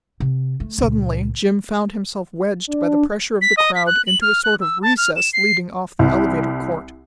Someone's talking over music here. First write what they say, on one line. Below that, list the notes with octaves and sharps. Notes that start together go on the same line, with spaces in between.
Suddenly Jim found himself wedged by the pressure of the crowd into a sort of recess leading off the elevator court.
C3
A3
C#2 A#2
D4
B6
D#5
B6
F#6
F#7
F6
F#6
E6
A5
F6
E7
C7
C2